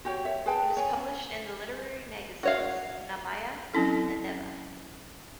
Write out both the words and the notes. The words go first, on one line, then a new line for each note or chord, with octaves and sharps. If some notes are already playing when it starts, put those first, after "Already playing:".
He was published in the literary magazines Znamya and Neva.
F#4 G4 C#5
C#5 E5
G#4 B4 G5 A5
C#5 G#5
C#4
F#4 C#5 F5
F#3 C4 C#4 E4 A4